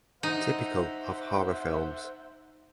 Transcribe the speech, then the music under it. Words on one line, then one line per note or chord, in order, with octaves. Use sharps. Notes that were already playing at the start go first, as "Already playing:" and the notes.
Typical of horror films.
D#4 C5 E5 F#5